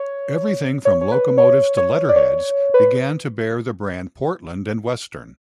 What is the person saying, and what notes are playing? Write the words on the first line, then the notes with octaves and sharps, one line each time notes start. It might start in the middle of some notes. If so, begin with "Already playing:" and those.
Everything from locomotives to letterheads began to bear the brand Portland and Western.
Already playing: C#5
C#5
C#5
B4
C#5
C#5
D5
C#5
B4